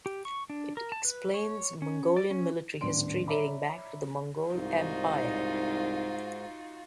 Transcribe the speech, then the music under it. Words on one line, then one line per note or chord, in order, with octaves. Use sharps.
It explains Mongolian military history dating back to the Mongol Empire.
G4
C#6
D4
A#4
A5
B4
C#5
C#4
D5
C#4
D#1 A2 B3 D4 C6 D7
C#5 D5 E5 A#5 B5 D6
C2 G#2 D#4 F4 F#4